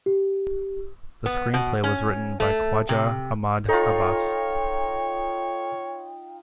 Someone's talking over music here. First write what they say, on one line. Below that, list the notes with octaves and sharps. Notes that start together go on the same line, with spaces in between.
The screenplay was written by Khwaja Ahmad Abbas.
G4
B3
B2
C#4
A3
C3
D#4 F4 A4 C#5 G5